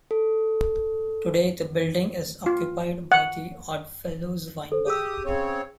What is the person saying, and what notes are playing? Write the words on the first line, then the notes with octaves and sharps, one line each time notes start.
Today the building is occupied by the Oddfellows Wine Bar.
A4
F4
F#5
A4 C5
G4 G#4 D#6 E6
C#3 C4 C#5